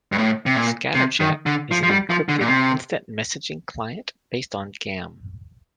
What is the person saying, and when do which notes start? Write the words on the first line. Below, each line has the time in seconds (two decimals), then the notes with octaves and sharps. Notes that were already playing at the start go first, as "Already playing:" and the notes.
ScatterChat is an encrypted instant messaging client based on Gaim.
0.12 G2
0.18 A2
0.46 C3
0.56 A#2
0.95 C3
1.20 D#3
1.46 D3
1.71 F3
1.83 F3
1.91 G3
2.10 F3
2.29 D3
2.41 A#2
2.48 C3